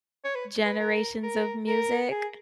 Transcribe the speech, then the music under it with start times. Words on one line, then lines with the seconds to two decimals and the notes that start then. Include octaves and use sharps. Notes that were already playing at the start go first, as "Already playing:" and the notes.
generations of music.
0.24 C#5
0.35 B4
0.65 B4
0.79 A#4
1.23 A#4
1.68 A#4
2.12 G#4